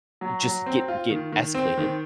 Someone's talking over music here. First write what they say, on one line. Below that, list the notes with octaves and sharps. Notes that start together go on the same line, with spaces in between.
just get get escalated,
F#3
F#3
C4
F4
D#3
D#3
C4
D#3